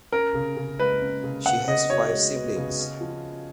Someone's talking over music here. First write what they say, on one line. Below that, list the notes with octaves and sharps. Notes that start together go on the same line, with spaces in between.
She has five siblings.
C#4 A#4
C#3
C#3
G#3 B4
C#4
C#3
B3 F#5
C#3 D#5
F#4 C#5
G#3
B3
C#3
C#4
F3